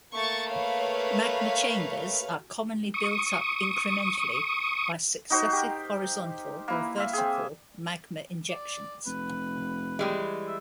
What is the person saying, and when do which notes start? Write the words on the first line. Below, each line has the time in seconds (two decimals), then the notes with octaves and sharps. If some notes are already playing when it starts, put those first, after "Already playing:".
Magma chambers are commonly built up incrementally, by successive horizontal or vertical magma injections.
0.14 A3 A#3 C#6 A6
0.51 B4 C#5 F5
2.94 C#6 D#6
5.30 D#4 F#4 C5
5.52 G4 A#4
6.68 A#3 E4 B4
6.96 E5 F5 C6
7.13 C4 G#4
8.50 D5
9.06 F1 B4
9.99 E3 G3 G#3
10.47 E5